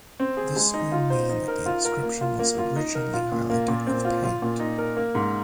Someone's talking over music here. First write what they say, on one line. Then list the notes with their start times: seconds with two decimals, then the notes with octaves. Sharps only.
This may mean that the inscription was originally highlighted with paint.
0.20 C4
0.37 G#4
0.56 G#3
0.74 D#4
0.92 F4
1.10 C5
1.29 D#4
1.48 A#4
1.66 F4
1.85 A#4
2.03 A#3
2.21 F4
2.39 A#3
2.58 F4
2.76 D#4
2.95 A#4
3.13 F4
3.32 A#2
3.50 A#3
3.68 A#2
3.87 C4
4.05 F4
4.23 F4
4.42 A#2
4.60 D#4
4.78 A#4
4.97 A#3
5.15 G#2